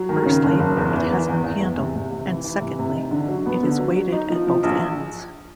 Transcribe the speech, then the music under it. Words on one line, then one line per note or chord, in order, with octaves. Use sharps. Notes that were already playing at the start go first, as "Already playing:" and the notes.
Firstly, it has no handle and secondly it is weighted at both ends.
Already playing: F#3
D#3
C#3
F#1
F#1
E2
E3
E2
E2
E2
G#3
C3
C3
C3
E3
E3
C3
C3
D#4
D3
F#3
B3
D3
F#3
F#3
D#4
F3
F3
A#1